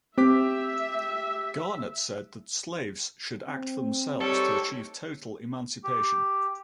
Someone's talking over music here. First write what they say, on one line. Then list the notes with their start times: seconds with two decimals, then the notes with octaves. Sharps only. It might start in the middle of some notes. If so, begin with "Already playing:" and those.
Garnet said that slaves should act for themselves to achieve total emancipation.
0.18 C4 G4 E5 D6 B6
3.46 C4
4.21 G#2 G3 A4 C#5
5.84 G4